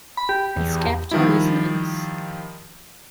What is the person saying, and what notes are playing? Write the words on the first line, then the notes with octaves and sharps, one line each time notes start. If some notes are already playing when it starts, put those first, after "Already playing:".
Its capital is Linz.
B5
G4
E2
D#3 F3 G3 D#4 E4